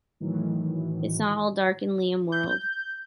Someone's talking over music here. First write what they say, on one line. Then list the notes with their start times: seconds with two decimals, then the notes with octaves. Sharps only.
It's not all dark in Liam World.
0.20 A2 D#3 E3 F#3
2.32 G6